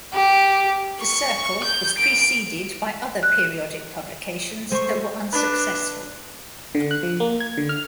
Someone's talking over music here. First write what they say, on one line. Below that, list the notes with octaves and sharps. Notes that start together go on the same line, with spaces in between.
The Circle was preceded by other periodic publications that were unsuccessful.
G4
C#6
G6
D7
F#6
G#3 A3 C5 C#6
D4 B4
D3
F#6
F3
A#3
G#6
D3
F6